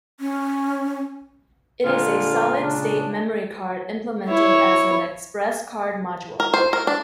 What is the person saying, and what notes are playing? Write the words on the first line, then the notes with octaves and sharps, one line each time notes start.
It is a solid-state memory card implemented as an ExpressCard module.
C#4
A#2 D3 G#3 F4
C#3 D4
E4 C#5
A#4
C5
A#4
D4